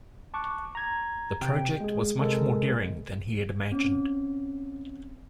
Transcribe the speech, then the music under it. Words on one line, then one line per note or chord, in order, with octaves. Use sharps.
The project was much more daring than he had imagined.
A5 C#6 D6 F#6
A#5 G#6
A#1 C3 G5
G#3 G#4
C3 G#3 A4 A#4
C4 C#4